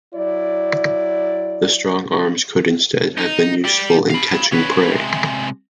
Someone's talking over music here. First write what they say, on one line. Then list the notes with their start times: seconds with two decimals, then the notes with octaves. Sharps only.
The strong arms could instead have been useful in catching prey.
0.14 F#3 E4 D5
3.17 D#4
3.64 G4 D5
4.10 F5 B5
4.52 C#4 B4
4.91 C3 G#3